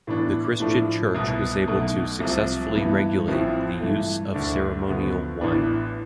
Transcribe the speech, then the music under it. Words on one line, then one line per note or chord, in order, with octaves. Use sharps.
The Christian Church was able to successfully regulate the use of ceremonial wine.
A2 E3 B3 D4
A2 F3 A3 D4
C2 B2 B3
B1 B2 A3
C2 C3 F3
G2 E3 B3 E4
A1 A2 F3 C4 E4
G2 E3 A3
D2 D3 A3 D4
D2 D3 F3 B3
A1 A2 E3 B3 D4